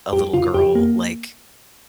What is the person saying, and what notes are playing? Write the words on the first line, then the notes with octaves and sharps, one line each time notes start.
a little girl?" Like
F2 G4
C#3 F4
F2 G4
A#3